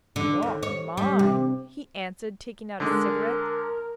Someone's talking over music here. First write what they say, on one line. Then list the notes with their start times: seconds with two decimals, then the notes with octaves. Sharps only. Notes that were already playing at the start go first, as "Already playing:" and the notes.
'Not mine,' he answered, taking out a cigarette.
0.16 D3
0.42 D#2
0.63 C#5
0.97 G3
1.19 C3
2.80 D3 G#3 A#4